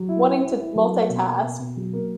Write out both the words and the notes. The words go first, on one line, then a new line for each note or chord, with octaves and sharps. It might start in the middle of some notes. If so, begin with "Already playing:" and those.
wanting to multitask,
Already playing: F#3
E4
E4
E4
E4
F#3
A#3
B2
A#3
B2
B2
F#3
A#3